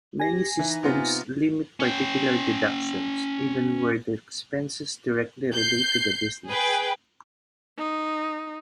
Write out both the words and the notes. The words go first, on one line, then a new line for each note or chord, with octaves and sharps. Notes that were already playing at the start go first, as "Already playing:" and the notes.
Many systems limit particular deductions, even where the expenses directly relate to the business.
G4 G#5 A#6
E3 D#4
C3 B3 F4
C#4 G5
G6 C7
G#4 B4 G5
D#4